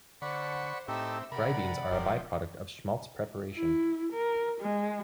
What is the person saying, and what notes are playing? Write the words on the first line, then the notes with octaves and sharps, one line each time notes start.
Gribenes are a byproduct of schmaltz preparation.
D3 C5 D5 F#5 B5 C#6
A2 C4 D#4 G4 A4 E5 E6
C3 A#4 D5 F#5 B5
E1 F3 G4 A#4
E4
A#4
G#3